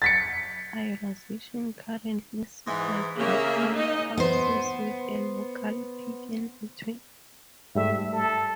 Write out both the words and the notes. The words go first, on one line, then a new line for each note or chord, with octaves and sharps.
Ionization current signals are all pulses with a local peak in between.
A6 B6 C#7
G#2 E3
C#3 A#3 E5
D#4 D#5
B3 C5
G#2 G3 A3 E5
A4